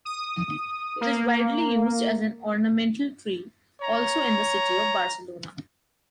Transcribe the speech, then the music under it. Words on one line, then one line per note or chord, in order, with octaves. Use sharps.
It is widely used as an ornamental tree, also in the city of Barcelona.
D#6
A#3
C#5 A#5